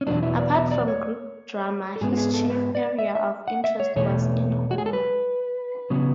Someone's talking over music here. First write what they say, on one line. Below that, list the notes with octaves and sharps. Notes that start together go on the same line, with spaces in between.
Apart from Greek drama, his chief area of interest was in Homer.
C#4
E2 B2 F#3 B3 D4
E4
D5
E5
D5
C#5
A4
G#2 G#3 B3 G#4
F#4
G#4
A4
B4
D5
E5
E5
F#5
E5
C#5
E2 B2 A3 C#5
F#4
G#4
A4
B4
C#3 F#3 B3